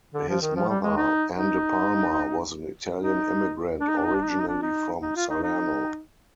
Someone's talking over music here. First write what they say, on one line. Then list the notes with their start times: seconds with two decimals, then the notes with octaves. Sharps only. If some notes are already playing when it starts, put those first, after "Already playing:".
His mother, Ann De Palma, was an Italian immigrant originally from Salerno.
0.14 D3
0.28 F3
0.42 D#3
0.56 F3
0.69 G3
0.83 G#3
0.97 D#4
1.37 D#4
3.00 D#4
3.81 D4
3.89 D#4
3.98 D4
4.06 D#4
4.15 D4
4.23 D#4
4.31 D4
4.40 D#4
4.48 D4
4.62 D#4
5.02 D#4
5.16 F4
5.30 D#4
5.43 D#4